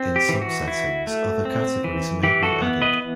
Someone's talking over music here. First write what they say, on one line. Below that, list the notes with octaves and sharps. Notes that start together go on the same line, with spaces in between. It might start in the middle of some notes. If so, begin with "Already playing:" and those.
In some settings, other categories may be added.
Already playing: C4
G4
E3
F#4
E4
A3
C4
E3
E3 G4
F#4 A4
B3
B4 D#5